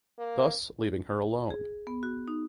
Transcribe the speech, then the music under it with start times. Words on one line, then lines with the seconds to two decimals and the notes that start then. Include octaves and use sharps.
Thus leaving her alone.
0.19 A#3
1.50 G#4
1.87 B3
2.03 F#4
2.28 D#4